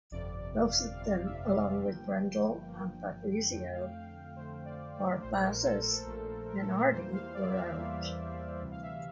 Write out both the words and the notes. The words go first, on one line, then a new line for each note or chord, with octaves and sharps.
Both of them along with Brundle and Fabrizio Barbazza's Minardi were out.
G1 F2 C3 D5
F5
G1 F2 C3 F5
E5
F5
G1 G2 F3 A#3 G5
G1 G2 F3 A#3
F2 D3 A3 G5
F5
F5
F2 D3 A3 C5
D5
D5
A#1 A#2 A3 C5
A#4
A4
A4
A#1 A#2 A3 A4
A#4
A4
A#4
E2 E3 G3 A#3 C5
F5
D5
E5
F5
E2 E3 G3 A#3
D2 C3 E3 G3
F5
E5